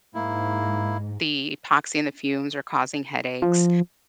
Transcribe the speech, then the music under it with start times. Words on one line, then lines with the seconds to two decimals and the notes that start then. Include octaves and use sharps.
the epoxy and the fumes were causing headaches.
0.15 G#2 A#3 E4
3.42 F3